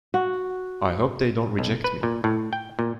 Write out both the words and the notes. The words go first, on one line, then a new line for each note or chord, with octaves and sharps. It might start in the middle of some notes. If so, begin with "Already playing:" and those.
I hope they don’t reject me.
F#4
B1
B4
A#2
A2
G5
A#2